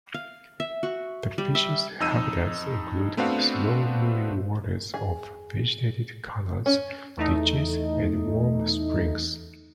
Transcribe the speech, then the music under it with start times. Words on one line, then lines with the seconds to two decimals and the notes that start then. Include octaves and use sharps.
The fish's habitats include slow-moving waters of vegetated canals, ditches, and warm springs.
0.14 F5
0.60 E5
0.83 F#4
1.38 G3
1.55 E5
2.00 F2 D#4 E6 D#7
3.17 A3 B3 C4 D4 F#4 F5
4.94 G#4
6.66 C#4
7.17 E2 A3 D#4